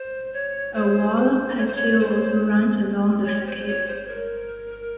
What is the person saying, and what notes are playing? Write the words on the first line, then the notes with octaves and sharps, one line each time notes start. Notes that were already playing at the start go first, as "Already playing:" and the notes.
A walled patio also runs along the facade.
Already playing: C5
C#5
C5
C5
C#5
C5
C#5
C5
C#5
C5
C5
C#5
C5
A#4